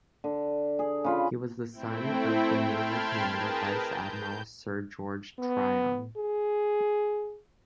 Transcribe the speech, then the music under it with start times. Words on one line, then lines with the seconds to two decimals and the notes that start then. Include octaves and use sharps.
He was the son of the naval commander Vice-Admiral Sir George Tryon.
0.24 D3
0.79 G#4
1.04 C#3 F4 B5
1.71 A3 C4 E4 G5
2.61 G5 A5 B5 C6 F6 G#6
3.28 G#4 A#4 B4 G5 A5 A#5
3.67 G6
5.39 B3
6.17 G#4